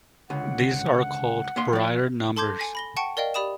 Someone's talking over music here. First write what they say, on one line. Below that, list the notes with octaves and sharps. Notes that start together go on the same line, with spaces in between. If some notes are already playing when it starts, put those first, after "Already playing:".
These are called Brier numbers.
C#2 D3 F#5
A#3 E5 C6
F3 D5
A4 A5 C6 D6 G6 G#6
G#5
B5 A#6 G7
F#5 G5 A5 C#6 C#7 D7
A#4 D5 D#5 F5 G5
G4 D5 B5 D#6 E7